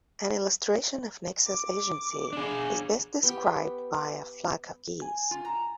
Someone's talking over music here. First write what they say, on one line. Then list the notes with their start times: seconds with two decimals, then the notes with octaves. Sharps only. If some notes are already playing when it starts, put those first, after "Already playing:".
An illustration of nexus agency is best described by a flock of geese.
1.47 D6
2.33 D4 G#4
3.23 B3 G4 G5
5.02 G#5
5.31 F4
5.45 A#5